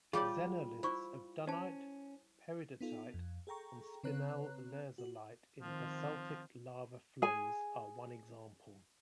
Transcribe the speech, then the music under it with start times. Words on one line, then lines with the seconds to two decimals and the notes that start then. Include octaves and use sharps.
Xenoliths of dunite, peridotite and spinel lherzolite in basaltic lava flows are one example.
0.13 G3 F4 G4 G#4 C#5 D5
0.83 E4 C5 C#6
1.47 C#4 C5 A5
2.81 B3 D#4 F4 A4
3.14 F2
3.47 G#4 A4 G5 A#5 C#6
4.03 C#3 C4 B4 C#5 A#5 F#6
4.98 F#4
5.61 D#3 F3 C4
7.22 G#4 G#5